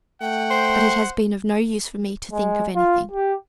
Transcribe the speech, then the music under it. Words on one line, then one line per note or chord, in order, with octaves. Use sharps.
But it has been of no use for me to think of anything.
A3 F#5 G5
C5
G#3
F4
G4